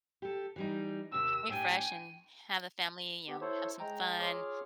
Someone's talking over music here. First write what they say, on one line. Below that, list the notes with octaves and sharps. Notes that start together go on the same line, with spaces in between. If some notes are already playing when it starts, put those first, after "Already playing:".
Refresh and have a family you know, have some fun.
G4 A4
E3 G3 D#4
D#2 C3 E6
A2 D4 G4 G5 G#5
B3 G4
E4 A4 C5 C#5
G#3 G5 A#5
F4 G#4 C#5 D6 F6